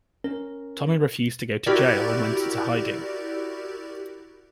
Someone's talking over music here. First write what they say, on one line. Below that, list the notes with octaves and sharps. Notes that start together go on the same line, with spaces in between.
Tommy refused to go to jail and went into hiding.
C#4 A#4
E4 F#4 G4 A#4 D5